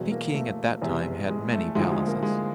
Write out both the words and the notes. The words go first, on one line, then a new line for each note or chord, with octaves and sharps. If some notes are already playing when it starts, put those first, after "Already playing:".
Peking at that time had many palaces.
Already playing: E1 E2 B2 F#3
A#3
A3
E1 E2 C3 E3
G#3
A3
D2 D3 F3 G#3
G#3
A#3
G#3